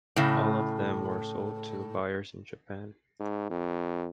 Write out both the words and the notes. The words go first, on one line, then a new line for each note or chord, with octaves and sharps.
All of them were sold to buyers in Japan.
A2 C#3
G#2
F2